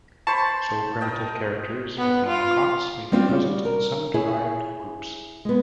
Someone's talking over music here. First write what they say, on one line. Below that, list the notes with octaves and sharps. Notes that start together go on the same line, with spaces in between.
So primitive characters of monocots may be present in some derived groups.
C5 A5 B5 C#6
A#4 D#5 G5
B3
F4
G3 C4 F4 F#4
G3 F#4
A#4
E4 G#4 C#5
G#3 B3